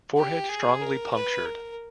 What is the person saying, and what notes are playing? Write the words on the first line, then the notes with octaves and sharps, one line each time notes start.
Forehead strongly punctured.
G4
G#4
A#4
B4
A#4